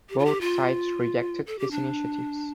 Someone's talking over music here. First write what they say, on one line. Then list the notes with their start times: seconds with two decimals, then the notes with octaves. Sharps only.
Both sides rejected his initiatives.
0.10 G4
0.19 F4
0.25 G4
0.41 F4
1.47 A4
1.59 G4
1.71 D4